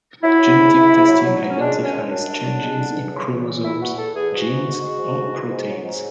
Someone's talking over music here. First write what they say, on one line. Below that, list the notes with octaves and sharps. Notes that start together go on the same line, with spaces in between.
Genetic testing identifies changes in chromosomes, genes, or proteins.
F#3 E4
F#3
G#2
G#2
G#2
F#3
F#3
F#3
C#4
G#3 D4
F#2
C#4
G#3
D4
F#2
F#2
D3
G#3
D3
E2
C#3
E3
E2
E2 E4
E3 F#4
E2 A4
E3 G#4
G#2 F#4
G#2
G#2
G#3
G#2
G#2
E3
G#2
F#3
G#2